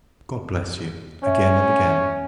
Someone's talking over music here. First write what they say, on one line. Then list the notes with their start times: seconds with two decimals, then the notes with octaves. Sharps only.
God bless you, again and again!
1.23 C#4 C#5 E5